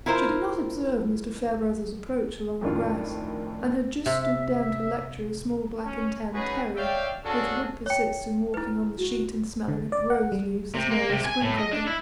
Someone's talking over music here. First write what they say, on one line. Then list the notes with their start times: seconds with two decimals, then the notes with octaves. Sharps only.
She did not observe Mr. Farebrother's approach along the grass, and had just stooped down to lecture a small black-and-tan terrier, which would persist in walking on the sheet and smelling at the rose-leaves as Mary sprinkled them.
0.06 E4 F4 A#4 C5
2.61 F2 A2 D#3 C#4 D4 F4
4.06 C3 E5
5.85 C#4
6.33 C#4 D#4 F#4 G#4 B4
6.76 C#5 D5 E5 F5 G5
7.24 C#4 D4 F#4 G#4 A4 F5
7.86 C#5 G5
8.54 E4 B4
8.98 F#4
9.68 D3
9.92 D5
10.10 F#5
10.32 G3
10.75 C3
10.91 A#3
11.10 C3
11.26 G#5
11.42 A2
11.59 D#5
11.73 D4
11.87 E4